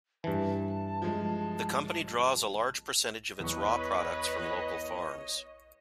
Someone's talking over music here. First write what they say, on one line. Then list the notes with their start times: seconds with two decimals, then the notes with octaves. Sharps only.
The company draws a large percentage of its raw products from local farms.
0.24 G2 E3 A5
1.02 F3 G#3
3.40 E2 B4 C#5 D#5 C#6